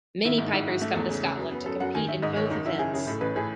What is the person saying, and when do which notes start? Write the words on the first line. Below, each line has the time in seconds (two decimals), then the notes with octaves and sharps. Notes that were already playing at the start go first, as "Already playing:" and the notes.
Many pipers come to Scotland to compete in both events.
0.25 D#3 E4
0.38 G#2
0.45 D#4
0.52 G#2 E4
0.67 G#2 F#4
0.81 A3 A4
0.95 E2 A4
1.10 C#3
1.23 C#3
1.37 F#2
1.51 B3
1.66 F#2 A4
1.80 F#2 F#5
1.95 D#3 G#5
2.08 D#3 E5
2.22 G#2 D#5
2.36 D#3 C#5
2.50 F#1 D#4
2.65 F#1 E4
2.79 C#3 G#4
2.93 C#3 G#4
3.07 A2 A4
3.21 A1 B4
3.36 A2 G#4